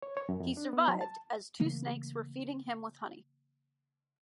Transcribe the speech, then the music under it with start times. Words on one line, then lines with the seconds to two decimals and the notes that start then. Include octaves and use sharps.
He survived, as two snakes were feeding him with honey.
0.02 C#5
0.17 C#5
0.29 F#2
0.40 F2
0.57 D4
0.73 B3
0.88 F#3
1.01 A5
1.60 C#3 E3 A3 A#3